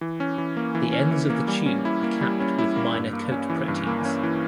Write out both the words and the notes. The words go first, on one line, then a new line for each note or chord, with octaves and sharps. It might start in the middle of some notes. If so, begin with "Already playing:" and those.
The ends of the tube are capped with minor coat proteins.
E3
C#4
E3
A#3
E3
C#4
E3
A#3
G3
C#4
E4
A#3
G3
C#4
E4
A#3
G2
A#3
C#4
E3
G2
A#3
C#4
E3